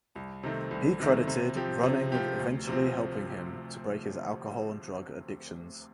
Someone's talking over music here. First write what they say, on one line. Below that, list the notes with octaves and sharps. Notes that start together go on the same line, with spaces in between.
He credited running with eventually helping him to break his alcohol and drug addictions.
C2
C3 D#3 A3 C4
C2
C3 D#3 A3 C4
C3
F3 C4 G4
C3
F3 C4 G4
D2
C3 F3 C4